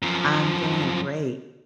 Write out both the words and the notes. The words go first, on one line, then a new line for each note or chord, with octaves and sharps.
I'm doing great.
F#2 F3